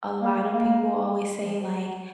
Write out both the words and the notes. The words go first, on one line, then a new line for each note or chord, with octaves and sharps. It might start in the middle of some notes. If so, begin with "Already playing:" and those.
a lotta people always say, like
A#3
A#3
F3